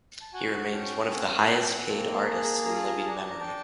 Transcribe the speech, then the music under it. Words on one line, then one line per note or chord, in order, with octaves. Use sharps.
He remains one of the highest paid artists in living memory.
A5
F#4 F#5 G#5
C#4 G5 A5
G5
C4 F#5 G#5
F5 G5
C4 G5 A5
F#5 G#5
A#3 A5
A#5
A5
A#5
G#4 A5
A#5
A5
F4 A#5
A5
A#5
A5
D4 A#5
A5
A#5
G5 A5
D4